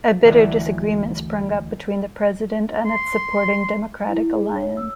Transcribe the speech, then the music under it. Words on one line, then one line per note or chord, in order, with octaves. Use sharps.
A bitter disagreement sprung up between the president and its supporting Democratic Alliance.
D2 E3 D5 E5 F#5
C6
E4
G#4
C#5
E6